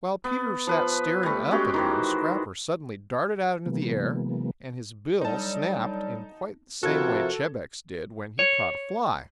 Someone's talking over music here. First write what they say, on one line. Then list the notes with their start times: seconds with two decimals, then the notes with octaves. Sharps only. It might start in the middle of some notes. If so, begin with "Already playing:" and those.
While Peter sat staring up at him Scrapper suddenly darted out into the air, and his bill snapped in quite the same way Chebec's did when he caught a fly.
0.24 B3
0.67 F3 B4
1.23 G3 A3
1.51 G#3 C#4 F#4 G4
1.74 D#3 E3 C5
3.66 C3 E3 F#3 G#3 A#3 B3
5.21 D3 F#3 G3 D#4 A5
6.83 C3 F3 C4 E4 F#4 A4 A#4 G#6
8.39 C#5